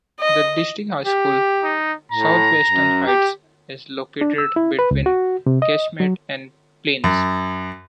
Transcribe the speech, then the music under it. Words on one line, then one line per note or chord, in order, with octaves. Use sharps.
The district high school, Southwestern Heights, is located between Kismet and Plains.
D#5
G4
D#4
A2 A#5
F#2
G4
D4
E6
E4
B4
C#2
F#4
C3
D#5
F#3
F#2